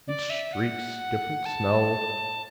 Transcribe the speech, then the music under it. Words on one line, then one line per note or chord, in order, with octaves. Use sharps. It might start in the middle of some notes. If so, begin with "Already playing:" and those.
Each street different smell.
D5
E5
F#5
A5